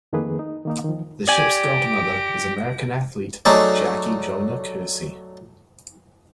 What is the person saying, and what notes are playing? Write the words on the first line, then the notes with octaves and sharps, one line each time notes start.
The ship's godmother is American athlete Jackie Joyner-Kersee.
F2 D#3 A3 A#3 G#4 B4
D#4
D#3 A#3 D#4
D#3 F3
G4 D5 G#5 A#6 D7
F#3 A3 D#4 G#4 D5